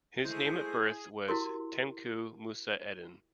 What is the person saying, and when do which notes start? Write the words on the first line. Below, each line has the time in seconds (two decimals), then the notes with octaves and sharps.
His name at birth was Tengku Musa Eddin.
0.25 G#3 A3 E4 G#4 C5
1.28 E4 F#4 G4 A#4 C6